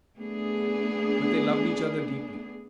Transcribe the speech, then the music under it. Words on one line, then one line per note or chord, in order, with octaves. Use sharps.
But they loved each other deeply.
A3 B3 D4 G#4